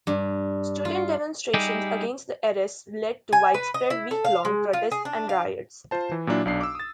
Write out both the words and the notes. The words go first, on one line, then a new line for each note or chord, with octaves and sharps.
Student demonstrations against the arrests led to widespread week-long protests and riots.
G2
F4
G3 D#4 E4 G4 G#4
G#5
B4
D#5
E4
A4
F5
G#3
F4
G#4
D4
F5
F4 C5 A5
E3
A#2 F#3 A#3 D4 E4
B1 D4 C7
D6 E6
D#6 A6